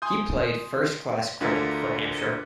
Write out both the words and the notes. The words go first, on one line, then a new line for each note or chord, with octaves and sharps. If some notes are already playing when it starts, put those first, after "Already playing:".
He played first-class cricket for Hampshire.
G#5 C6 D#6 G6
D2 D3 F4 A#4 E5